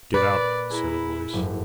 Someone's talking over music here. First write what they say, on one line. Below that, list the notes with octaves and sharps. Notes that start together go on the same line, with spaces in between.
"Get out," said a voice.
A#2 B4 D5
E4 G#4 A#5
F#1 F2 G#2